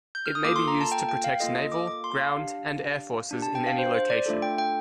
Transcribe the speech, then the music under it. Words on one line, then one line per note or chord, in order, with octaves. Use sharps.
It may be used to protect naval, ground, and air forces in any location.
G6
F6
D#6
A#3 F4 A4 D6
C6
A#5
A5
G5
G5
F5
A#3 F4 A4 D#5
D#5
D6
D6
C6
F5
D4 G4
D4 G4
A5
G5
F5
C5
C5
D5
A3 D4 F4 A4
G5
G5